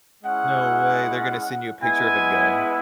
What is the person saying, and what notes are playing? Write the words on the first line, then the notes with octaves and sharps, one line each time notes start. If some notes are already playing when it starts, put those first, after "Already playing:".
No way, they're gonna send you a picture of a gun.
G#3 C#4 E4 F#5
G#3 B3 E4 G#5